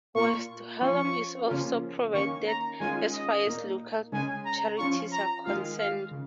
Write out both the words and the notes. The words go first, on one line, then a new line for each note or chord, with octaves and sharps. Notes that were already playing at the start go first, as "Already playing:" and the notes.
West Hallam is also well provided as far as local charities are concerned.
A#2 A#3 F4 C#6
F3 C#4 F4 C#6
C#3 F3 A#3 C#4 F4
D#3 A#3 C#4 C#6
A#5
D#3 G#3 C#4 F4 G#5
D#5
A#2 A#3 D#4
C#3 G#3 C#4 G#5
A#5
F3 C#4 F4 C#6
A#5
D#3 G#3 F4 F5
F5
C#3